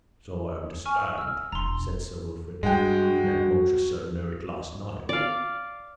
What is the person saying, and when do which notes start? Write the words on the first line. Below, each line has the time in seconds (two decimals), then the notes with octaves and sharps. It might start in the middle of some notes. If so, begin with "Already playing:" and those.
"So I understand," said Sir Wilfrid; "you let Montresor know it last night."
0.86 G#5 C#6 F6
1.18 E6 F6
1.52 E1 A#5 C6
2.63 G2 G#3 F#4 F#5 G5
5.09 D5 F5